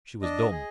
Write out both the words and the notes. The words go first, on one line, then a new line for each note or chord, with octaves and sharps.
'She was dumb.
D4 D#5
G#4